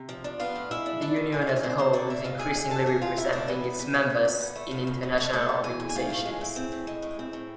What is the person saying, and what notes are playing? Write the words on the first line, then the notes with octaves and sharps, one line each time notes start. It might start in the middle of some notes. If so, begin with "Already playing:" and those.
The Union as a whole is increasingly representing its members in international organisations.
Already playing: C3
F3
D4
B3 F4 F5
A2
G#3 E4 E5
D4
B3 D4 D5
A2
G#3 G#5
F5
D4 E5
D5
G#3 C4 C5
D2 C4 C5
D3 D4 D5
D2 E4 E5
G#3 F4 F5
D2 G#4 G#5
D3
D2 A4 A5
E3 G#4 G#5
E2 F4 F5
C3 E4 E5
A3 D4 D5
E3 B3 B4
E2
C3 B3 B4
A3
F3
D2
D3
A3
F3
D2
D3
A3
A3 A4 A5
A2
E3 G#4 G#5
A2
G#5
A3 F4 F5
A2
E3 G#3 G#4
A2
C4
A2
G#3
A2
C4
A2